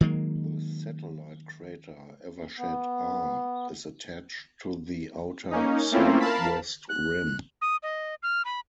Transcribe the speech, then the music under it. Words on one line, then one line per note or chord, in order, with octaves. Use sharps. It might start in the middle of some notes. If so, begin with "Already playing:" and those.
The satellite crater Evershed R is attached to the outer southwest rim.
D#3 F#3 G#3 A#3
B3
A#3 C#4 D#4
A3 A#3 C4 C#4 E4 F4
A#4 F5 A5 B5
F#6
D#6
D#5
F6
B5